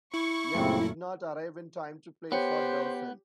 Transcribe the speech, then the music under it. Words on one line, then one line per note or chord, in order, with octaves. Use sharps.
Young did not arrive in time to play for Dawson.
E4 C#6
F#2 A#2 C#3 A3 C4
B3 G4 C5 C#5 G5 C#7